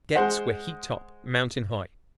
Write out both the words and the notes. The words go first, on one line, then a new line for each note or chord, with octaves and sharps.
Debts were heaped up mountain-high.
G#3 C5 F#5